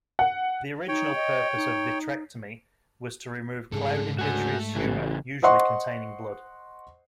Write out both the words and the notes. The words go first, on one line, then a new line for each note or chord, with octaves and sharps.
The original purpose of vitrectomy was to remove clouded vitreous humor-usually containing blood.
F#5
D#4 C#5 G5
D#5
D#4
C2 G#2 C#3 G#4 A4
D2 C#3 A3 F#4 A4 G#5
A1 C#3 E3
C5 D#5 F#5 C6 C#6